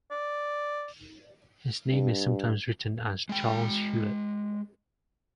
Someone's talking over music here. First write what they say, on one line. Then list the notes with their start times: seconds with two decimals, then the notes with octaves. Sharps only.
His name is sometimes written as Charles Hulet.
0.11 D5
1.91 G2
3.29 G#3 G5